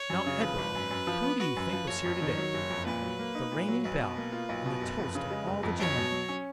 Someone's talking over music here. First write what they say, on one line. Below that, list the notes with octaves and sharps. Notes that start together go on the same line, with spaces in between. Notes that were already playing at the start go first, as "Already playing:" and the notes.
"Now, Edward, who do you think was here to-day--the reigning belle, and the toast of all the gentlemen?"
Already playing: C#5
F#2
C#3
F3 B4
G#1
F#2
F#2
F3
B3
F#4 B4
F#2
F3
F#1 C#5
F2
D#3
F#3
F#1
F2
A#2 B4
F#3
A#3
D#4
A#2
F#3
B1 B4
B2
A#3
F4
B1
B2
F#1
F2
C#3
G#3
F#1
F2
B1 C#5
B2
F#3
C#4